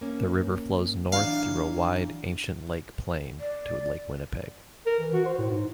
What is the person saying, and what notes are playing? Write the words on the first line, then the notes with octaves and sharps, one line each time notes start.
The river flows north through a wide ancient lake plain to Lake Winnipeg.
A#3 C#4
E3 F#3 D4 F5
D5
A#4
E3
F#4
C5
A2
G#2